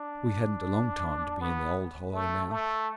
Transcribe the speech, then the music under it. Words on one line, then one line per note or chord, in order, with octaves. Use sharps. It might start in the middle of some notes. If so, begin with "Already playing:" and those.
We hadn't a long time to be in the old Hollow now.
Already playing: D4
B3
A3
A3